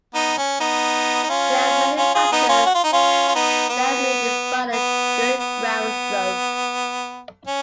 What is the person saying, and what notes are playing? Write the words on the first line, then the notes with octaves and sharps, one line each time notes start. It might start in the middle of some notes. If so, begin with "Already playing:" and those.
There are many factors that may define a good groundstroke.
B3 D#4
C#4
B3 D#4
D#4
C#4 F4
C#4 F4
F4 G#4
B3 D#4
C#4 F4
F#4
F4
D#4
C#4 F4
F4
B3 D#4
B3
B3
B3
C#4